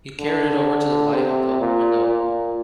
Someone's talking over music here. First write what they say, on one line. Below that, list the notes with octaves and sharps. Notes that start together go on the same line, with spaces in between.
He carried it over to the light of the open window.
D3
C3
A#2
A#2